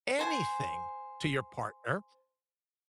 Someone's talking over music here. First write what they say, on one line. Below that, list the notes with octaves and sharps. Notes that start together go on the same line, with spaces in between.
anything to your partner,
C5 G#5